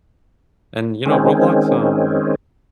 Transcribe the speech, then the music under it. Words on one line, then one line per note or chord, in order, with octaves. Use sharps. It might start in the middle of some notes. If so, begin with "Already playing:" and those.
And, you know, Roblox, um
D#3 G#3 C4 C#4